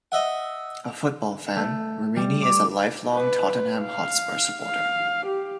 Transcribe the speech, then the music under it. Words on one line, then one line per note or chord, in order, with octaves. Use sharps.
A football fan, Ramini is a lifelong Tottenham Hotspur supporter.
D#5 E5 F#5
A3
G3
D6
B4
F5
F5
G4